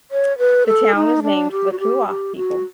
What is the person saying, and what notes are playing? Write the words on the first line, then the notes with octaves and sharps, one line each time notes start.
The town was named for the Kiowa people.
C#5
B4
A4
D#4
D4
G4
F#4
G4
G4
F#4